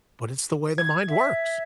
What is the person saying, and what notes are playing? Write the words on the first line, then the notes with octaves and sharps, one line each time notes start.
But it's the way the mind works.
G#6
E5